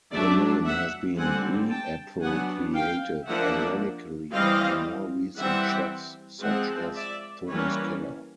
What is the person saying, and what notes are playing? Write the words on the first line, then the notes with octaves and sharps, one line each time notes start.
The name has been reappropriated ironically by more recent chefs such as Thomas Keller.
F#3 A3 D4 D5 E5
E5 F#5
D3 G3 C4 F#5 G#5
G5 A5
F#3 B3 D4 F#5 G#5
F5 G5
F3 A#3 D4 E5 F#5
E3 G3 C4 D#5 F5
E3 G3 C4 E5 F#5
F3 G#3 C4 E5 F#5
D5 E5
E3 G3 A#3 C#4 B4 C#5